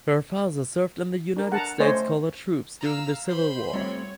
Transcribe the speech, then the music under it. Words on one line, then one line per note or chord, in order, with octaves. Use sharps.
Her father served in the United States Colored Troops during the Civil War.
D4 A#4
F#5 A5 A#5
A3 C#4 C5 C#5 D#5
F5 A#5 E6
C5 B5 C6
G3 A3 C4 G4 C#5